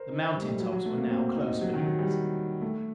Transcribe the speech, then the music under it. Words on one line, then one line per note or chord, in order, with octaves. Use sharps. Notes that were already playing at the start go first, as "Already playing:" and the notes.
The mountain tops were now close beneath us.
Already playing: A#4 C5
D#4
G3
A3
G3
F#3
F#3
A3
A#3
C4
D#4
F#3
D#3
F#3
G3
A3